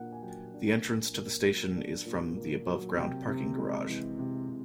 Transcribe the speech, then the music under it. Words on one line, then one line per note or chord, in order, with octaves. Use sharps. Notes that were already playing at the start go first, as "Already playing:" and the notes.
The entrance to the station is from the above ground parking garage.
Already playing: A#2 A#3 D4 F5 F#5
G#5
F#3 G5
D4
A#2
A#3
F#3
D4
A#2
A#3
F#3
C3 G5
C3
G#3
E3
C3
C3